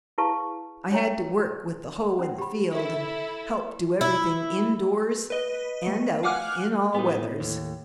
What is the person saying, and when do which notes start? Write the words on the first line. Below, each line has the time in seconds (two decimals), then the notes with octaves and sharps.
I had to work with the hoe in the field and help do everything in doors and out in all weathers.
0.18 E4 G#4 B4 F5 A5 C#6
0.91 D4 C#5 D#5 G5 A#5
2.19 C#4 F#5
2.38 G4 B5
2.73 E4 A4
4.01 E4
5.30 B4 D#5
5.87 A3
6.23 F5 F#5 G#5 D6 F6 F#6
6.95 A2 B3 D#4
7.40 D#2